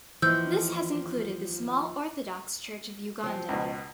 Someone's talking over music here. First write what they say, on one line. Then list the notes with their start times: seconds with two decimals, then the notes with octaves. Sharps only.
This has included the small Orthodox Church of Uganda.
0.22 D#2 E3 F3 E6 G6
3.23 F3 C4
3.49 C#2 B2